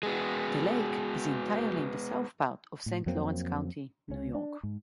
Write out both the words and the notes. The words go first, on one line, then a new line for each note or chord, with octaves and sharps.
The lake is entirely in the south part of Saint Lawrence County, New York.
G#3 B3 F#4 G#4
A2
F2 F#3 A#3 C4
C#2 C#4
D4
G#2